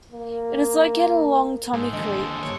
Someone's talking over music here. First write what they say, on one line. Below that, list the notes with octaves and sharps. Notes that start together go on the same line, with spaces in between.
It is located along Tommy Creek.
A#3
G#2 G#4 A4 C5
D#2 D3 F3 D#5
G2 D3 A#3 C#5